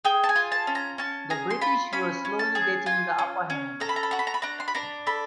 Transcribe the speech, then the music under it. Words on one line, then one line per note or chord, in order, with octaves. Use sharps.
The British were slowly getting the upper hand.
G#4 G5
A5
G#5
F4
A5
C#4
A#5
C#4 A5
G#4 A#5
C6
F4 B5
C#4 B5
C#4
A5
G#4
F4 G#5
C#4
C#4
A4 A#5
B5
A#5
B5
F#4 A#5
B5
A#5
B5
D4 A#5
C6
B5
D4 A#5
A4 B5